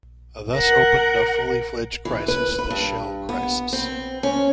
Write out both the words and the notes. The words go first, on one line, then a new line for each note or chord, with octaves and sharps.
Thus opened a fully-fledged crisis, the Shell Crisis.
A#4 F#5
E3
B4
B4
G2
B3
C4
C#4